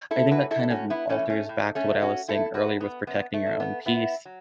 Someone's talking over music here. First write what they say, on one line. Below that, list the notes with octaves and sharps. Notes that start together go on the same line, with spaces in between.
I think that kind of m alters back to what I was saying earlier, with protecting your own peace,
E4 A4
E3 F#4 B4
E4 A4
A2 C#4 F#4
B3 E4
E3 A3 C#4
A3 C#4
A2
A3 C#4
F#3
C#4 F#4
A2 E4 A4
F#4 B4
F#3
B3
F#2 B3
A3
F#3
B3
F#2 B3 E4
F#3